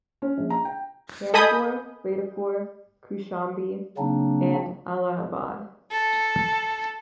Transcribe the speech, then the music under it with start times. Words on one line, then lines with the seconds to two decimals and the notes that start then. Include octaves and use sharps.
Kanpur, Fatehpur, Kaushambi and Allahabad.
0.22 C#4
0.38 A#1
0.50 A#5
0.65 G5
1.34 A4 D#5 G#5 B5 D#6 G6
3.98 C#3 F#3 A#3 C4 D4 D#4
5.91 A4